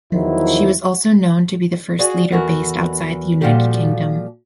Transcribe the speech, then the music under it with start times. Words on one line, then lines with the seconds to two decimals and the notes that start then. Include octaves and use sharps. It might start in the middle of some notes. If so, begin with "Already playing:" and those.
She was also known to be the first leader based outside the United Kingdom.
0.13 E2 D#3 F3 F#3 E4 C5
1.99 F#4 G#4 D5 F5 G#5
2.32 E2 E3 F#4 A4 A#4 F#5
3.41 A#2 F3 G3 F#4 G4 A4